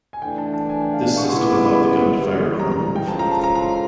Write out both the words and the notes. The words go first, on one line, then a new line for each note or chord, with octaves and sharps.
This system allowed the gun to fire on the move.
G#5
E3 A3 D4 G5
A5
A5
G#5
G5
F5
C#3 E3 G#3 B3 E4 C#6
C6
D6
D6
B5
F#2 C#3 E3 G3
A#5
A#5
G5
G#3 C#4 F4 A4 C5 A5
A#5
A5
A#5
A#5